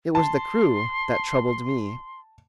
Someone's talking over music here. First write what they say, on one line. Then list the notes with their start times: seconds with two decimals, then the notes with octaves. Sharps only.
It was the crew that troubled me.
0.15 A5 C6